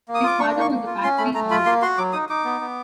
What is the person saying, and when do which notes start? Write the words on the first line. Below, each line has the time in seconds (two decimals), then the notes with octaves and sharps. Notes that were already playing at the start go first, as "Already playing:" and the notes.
His father was a factory owner.
0.08 A#3
0.14 D#6
0.23 F4 D6
0.39 D4 C#6
0.56 A#3 C#6
0.71 A#3
0.87 F4
1.03 C#4 C6
1.18 A3 B5
1.34 A3 A#5
1.50 F4 B5
1.65 A#3 C6
1.82 F#4 C6
1.98 F#3 D6
2.13 D#4 D#6
2.29 D#4 D6
2.45 B3
2.61 B3